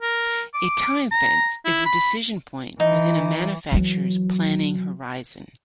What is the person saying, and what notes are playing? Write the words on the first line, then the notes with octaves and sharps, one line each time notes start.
A time fence is a decision point within a manufacturer's planning horizon.
A#4
D6
A#5
E4
B5
E3 D#4
E3 F#3